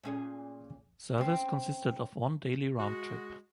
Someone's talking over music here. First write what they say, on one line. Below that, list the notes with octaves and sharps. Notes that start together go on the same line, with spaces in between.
Service consisted of one daily round trip.
A#2 C#4 G#4
C4 C#4
G#3 F#4